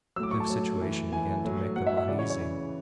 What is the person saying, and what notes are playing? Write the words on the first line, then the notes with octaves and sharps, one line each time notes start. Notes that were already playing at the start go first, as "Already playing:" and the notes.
Their situation began to make them uneasy.
A2 F#3 D6 E6
C#6
A5
A2 F#3
A2 E3
A2 E3 G#5
A2 F#3
A2 F#3 F#5
E5
E5
C#3 E3 D5
C#5
C#5
C#3 E3